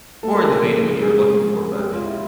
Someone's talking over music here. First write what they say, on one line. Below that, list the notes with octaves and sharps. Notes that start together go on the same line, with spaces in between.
more in the vein of what you're looking for, but,
A3 A4
A#4
C#3 A4
F3
C#3
G#3 G#4
C3
F3
C3
G#3 G4
F4
C3
E4